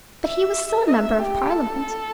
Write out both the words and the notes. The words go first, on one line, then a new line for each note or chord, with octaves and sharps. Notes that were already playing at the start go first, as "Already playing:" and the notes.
But he was still a Member of Parliament.
E5
E5
G4
A4